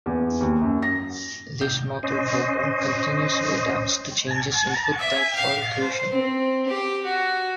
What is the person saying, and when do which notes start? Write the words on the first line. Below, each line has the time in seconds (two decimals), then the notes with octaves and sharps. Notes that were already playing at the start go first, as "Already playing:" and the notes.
This motor program continuously adapts to changes in food type or occlusion.
0.06 E2
0.41 D#2
0.61 F#2
0.82 A#6
1.61 G6
2.03 C#4 C5 D#5
4.98 E5
5.35 F5
5.80 C5
6.11 C4
6.67 G4
7.04 F#4